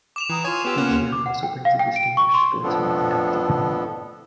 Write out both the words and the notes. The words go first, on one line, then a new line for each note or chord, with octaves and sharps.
Each year also brings a "Distinguished Sportsman" inductee.
D6 E7 F7
E3 G5 A#5 D#6
F4 C#5 G#5 C6
B3 G4 E6
A#3 B3 C#4 F#5
D#2
D6
F#5
G5
F5
G5
D7
C#6
C6
F2 A2 F3 B3 D4 A4